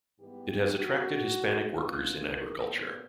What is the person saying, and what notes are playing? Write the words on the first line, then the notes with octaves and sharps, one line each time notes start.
It has attracted Hispanic workers in agriculture.
G#2 E3 G3 B3 G4
G#2 F3 A#3 F#4
E2 B2 G#3 B3
F4
D#2 D3 F#3 B3
A#4
A#2 F#3 B3 C5